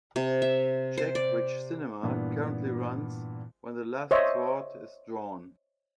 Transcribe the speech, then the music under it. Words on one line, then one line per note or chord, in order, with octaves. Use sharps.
Check which cinema currently runs When the Last Sword is Drawn.
C3
E5
C5
D5
G2 A#2 E3 B3
C5 C#5 D#5 E5